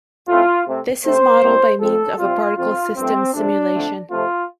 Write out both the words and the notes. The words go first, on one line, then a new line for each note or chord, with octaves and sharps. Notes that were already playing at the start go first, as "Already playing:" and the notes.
This is modelled by means of a particle system simulation.
A2 A3 C4 F4
C3 A3 C4
C3 A3 C4 C5
A2 G3 C4
F2 F3 C4 A4
C3 G3 C4 F4
F2 F3 C4 F4
G2 F3 A3 C4
F2 C3 A3 D4
F2 D3 A3
C3 F3 A3 C4 F4